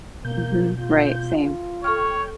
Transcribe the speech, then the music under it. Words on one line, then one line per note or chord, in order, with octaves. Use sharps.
Mhm. Right. Same.
B2 A#3 G6
F4
A4 C#5 G5 C#6 F6